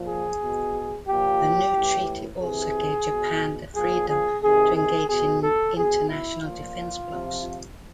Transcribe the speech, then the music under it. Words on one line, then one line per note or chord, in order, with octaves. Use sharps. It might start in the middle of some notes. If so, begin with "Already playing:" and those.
The new treaty also gave Japan the freedom to engage in international defense blocs.
Already playing: A#2 F3
G#4
B2
A#2 F3 G4
A2 E3
C3 E3 G#4
B2
A#2 F3 G#4
G#4
C3 D#3 G#4
G#4
B2 G#4
A4
B2 G#4
E4
A#2 F3 F4
C3 F3